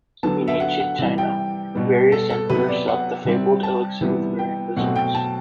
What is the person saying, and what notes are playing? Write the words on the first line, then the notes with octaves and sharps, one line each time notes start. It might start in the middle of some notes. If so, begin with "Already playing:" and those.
In ancient China, various emperors sought the fabled elixir with varying results.
D3 F#3 B3 A5
E5
F#5
F#5
C3 E3 G3
G5
B2 G3 B3
A4
A4
C3 F#3 B3 B4
D5
F#5
C3 G3 C4
A5
C3 E3 G3 B3
G5
B2 F#3 A3 C4 F#5
G5
A5